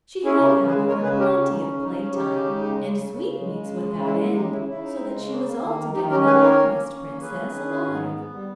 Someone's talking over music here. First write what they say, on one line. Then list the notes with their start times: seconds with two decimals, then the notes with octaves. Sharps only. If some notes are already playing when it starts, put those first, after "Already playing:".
She had, however, plenty of play-time, and sweetmeats without end, so that she was altogether the happiest princess alive.
0.24 C#4 E4 G#4
0.40 C#3
0.45 G4 A#4
0.56 C#3
0.66 G#4 B4
0.72 G#3
0.88 G#3 A#4 C#5
1.03 C#3 G#4 B4
1.19 C#4 G4 A#4
1.35 C#3
1.51 C#4 D#4
1.67 C#3
1.83 C#3 D#4
1.98 C#4
2.14 C#4 D#4 G4
2.30 C#3
2.46 G#3
2.62 C#3
2.78 C#3
2.93 C#3
3.09 C#3
3.26 C#3
3.41 G#3
3.57 C#3
3.73 G#3
3.89 C#3
4.04 G#3 E4
4.20 G#3 E4
4.36 C#3 D#4 G4
4.52 C#3 E4
4.68 C#3 E4
4.84 D#4
5.00 G#3
5.16 C#3
5.32 A#3
5.47 A#3
5.63 D#3
5.79 D#3
5.95 D#3 D#4 G4
6.11 C#4 G4 A#4
6.26 D#3 G#4 B4
6.37 B4
6.42 A#3 A#4 C#5
6.58 C#4
6.74 C#4
6.90 C#4
7.06 A#3
7.21 C#4 G#4 B4
7.38 D#3
7.54 C#4
7.69 D#3
7.85 G#2
8.01 B3
8.17 B3
8.33 G3